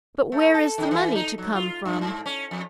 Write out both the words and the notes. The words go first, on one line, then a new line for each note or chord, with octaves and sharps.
But where is the money to come from?
A3
A4
D#3
E3
D#4
F#3
F4
G2
G#2
C#4
F2